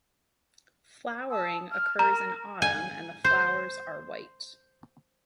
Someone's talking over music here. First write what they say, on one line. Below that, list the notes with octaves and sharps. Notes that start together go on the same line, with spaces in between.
Flowering occurs in autumn and the flowers are white.
A5 D#6 E6
F6
A#4 A#5 F6
G#5
C5